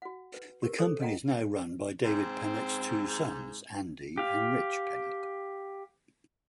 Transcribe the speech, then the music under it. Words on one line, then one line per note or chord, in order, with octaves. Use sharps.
The company is now run by David Pennock’s two sons Andy and Rich Pennock.
F#4 F#5
B4
G4 A#4 B4
G#4 A4 C5 C#5
D#5 F#5 G5 A#5
G#2 C4
G4 F5